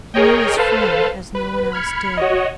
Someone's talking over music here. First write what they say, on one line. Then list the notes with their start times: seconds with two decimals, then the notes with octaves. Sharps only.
He knew his friend as no one else did.
0.14 G#4 A#4 C#5 D#5 G5
0.57 A4 B4 C5 F5 A5
1.35 B4
1.72 B5 F6 G#6 C#7
2.17 F#4 C#5 D#5